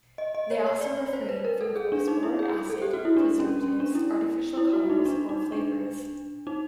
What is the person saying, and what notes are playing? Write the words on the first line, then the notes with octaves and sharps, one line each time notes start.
They also refrain from phosphoric acid, preservatives, artificial colors or flavors.
D#5
D#5
C#5
C#5
D5
C#5
C5
B4
A#4
A4
G#4
D4
D#4
E4
G#4
G#4
A4
G4
F#4
E4
D4
C#4
C#4
D4
E4
E4
F#4
D#4
D4
D#4
D4
D#4